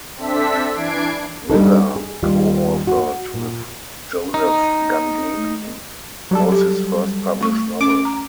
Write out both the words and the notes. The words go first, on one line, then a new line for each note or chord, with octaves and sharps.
"Wither," co-authored with Joseph Gangemi, was his first published novel.
C4 D4 A4 E5 B6
E3 D4 G#6 C7 D7
G3 D4 D#4 A4
G#4
D#2 G3 F4
F#4
A#2
D#4
F#3 G3 A4
G4
A3 C#6
C#4 D6
A#5